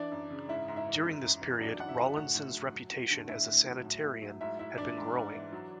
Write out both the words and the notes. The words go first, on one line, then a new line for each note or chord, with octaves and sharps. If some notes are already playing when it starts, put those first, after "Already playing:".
During this period Rawlinson's reputation as a sanitarian had been growing.
Already playing: E3 D4 D5
F#2
C#3
G#2 E4 E5
G#2
E4 E5
E3
F#2
F#2
E3
F#3 D4 D5
F#2 F#5
E4 E5
D3
A2 F#4 F#5
A2
F#3
F#3
E2
D3
A2 E4 E5
A2
F#3
A2
A2
F#3
G#2 E4 E5
G#2 E4 E5
E3 D4 D5
G#2
G#2
E3
F#3